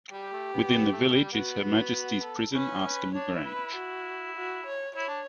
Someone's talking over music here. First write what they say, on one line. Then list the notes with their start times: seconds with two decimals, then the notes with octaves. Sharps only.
Within the village is Her Majesty's Prison Askham Grange.
0.12 G3 G4
0.32 A3
0.53 B3
0.73 B3
0.92 A3
1.13 G3
1.32 B3 F#4
1.64 F#4
1.93 F#4
2.24 A4
2.54 C#4 B4
2.85 B4
3.14 D4 C#5
3.34 E4
3.45 B4
3.55 E4
3.75 F#4
4.36 F#4
4.66 C#5
4.96 E4 C#5
5.08 D4